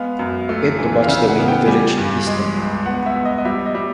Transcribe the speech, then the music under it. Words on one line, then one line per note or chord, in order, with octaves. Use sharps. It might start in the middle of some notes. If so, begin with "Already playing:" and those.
It abuts the main village Easton.
Already playing: G#3 B3 F5
F#2
A3
E3
F5
C#3 E5
F#5
B3
G5
G3 G#5
G2
G#3
C#2
B3 F#5
E5
B3
D#5
D#5
G3 E5
D#5
G3